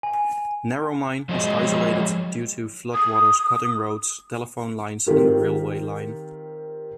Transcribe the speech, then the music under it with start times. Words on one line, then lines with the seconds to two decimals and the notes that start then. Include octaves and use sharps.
Narromine was isolated due to floodwaters cutting roads, telephone lines and the railway line.
0.03 G#5
1.29 F3 F#3 G#3 D#5
2.94 D#6
5.07 D#3 C4 F4 G4 A#4